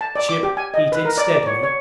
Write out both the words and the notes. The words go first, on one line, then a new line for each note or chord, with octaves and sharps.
The ship heated steadily.
A5
D5
D6
G4
G#5
D#5
B4
A#4
D5
D5
C#5
C#5